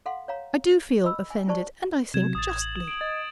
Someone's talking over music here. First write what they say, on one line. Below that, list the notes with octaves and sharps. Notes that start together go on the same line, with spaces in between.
'I do feel offended; and, I think, justly.
A4 F5 F#5 C6
C#5 F5 A#5
D#5 B5 E6
G#5
E4 G4 C5 D5 A5 C#6
C3 F#3 G#6 E7
A1 D#6 A6
F#7
D7 F#7
D#5 A6